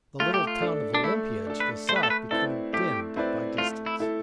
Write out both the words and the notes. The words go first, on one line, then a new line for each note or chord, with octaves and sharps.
The little town of Olympia to the south became dimmed by distance.
A3 F4
G4
F4
D4 A4
D4
A3 E4
D4 A4
B4
A3 C5
B4
A4
B4
C4 E4 A4 B4 D5
A3 G4
C4 E4 B4 D5
A3 F4
E4
E4 A4